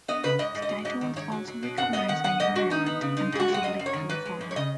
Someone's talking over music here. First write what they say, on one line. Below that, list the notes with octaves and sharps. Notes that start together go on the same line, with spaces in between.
The title was also recognized by Maryland, and possibly California.
B3 D#5
C#3 B4
G#2 D#5
G#2
D#5
F#3
G#2 D#5
D#3
G#2 C#5
F#3
F#3
B2
F#2 F#5
B3 D#5
D#3 F#5
B3 F#5
G#2 D#5
G#2 F#4
B3 D#4
B3
C#3
G#3 D#4
G#2 G#4
F#4
G#3
F#5
F#2 D#5
F#2
C#5
D#3
G#2 B4
G#3
G#2
C#5
C#3 D#5